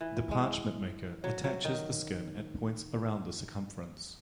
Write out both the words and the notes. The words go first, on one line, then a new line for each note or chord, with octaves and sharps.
The parchment maker attaches the skin at points around the circumference.
E3
G#3
F#3
F#3
D#3